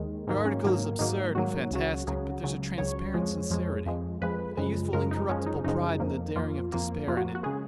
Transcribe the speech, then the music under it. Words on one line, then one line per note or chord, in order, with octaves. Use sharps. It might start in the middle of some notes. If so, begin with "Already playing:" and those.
Your article is absurd and fantastic, but there's a transparent sincerity, a youthful incorruptible pride and the daring of despair in it.
Already playing: D#2 D#3 G#3
G#2 D#3 F#3 A#3
C#4
G#2 D#3 F#3 A#3
G#2 D#3 F#3 A#3 D#4
G#2 D#3 F#3 A#3 F#4
C#2 C#3 F#3
C#2 C#3 F#3
C#2 C#3 F#3
C#2 C#3 F#3 C#5
F2 F3 G#3
F2 F3 G#3
F2 F3 G#3
F2 F3 G#3 B4
F#2 C#3 F3 G#3
F#2 C#3 F3 G#3 A#4
D#4
F#2 C#3 F3 G#3 C#4
D#4
F#2 C#3 F3 G#3 D#4
F2 F3 A#3
F2 F3 A#3 F4
F2 F3 A#3
F2 F3 A#3 F4
F#4
F#4
C#3 G#3 G#4